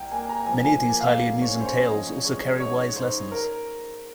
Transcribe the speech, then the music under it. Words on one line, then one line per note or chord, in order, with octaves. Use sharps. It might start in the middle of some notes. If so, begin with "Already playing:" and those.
Many of these highly amusing tales also carry wise lessons.
Already playing: C2 G3 G5 A#5
A#3 G#5
A#5
F3 G#5
G#5
A#3
F5
G#2
C#5
C#4
C5
C#5
F3 D#5
C#5
G#3 C#5
D#5
G#2 C#5
D#4 C5
A#4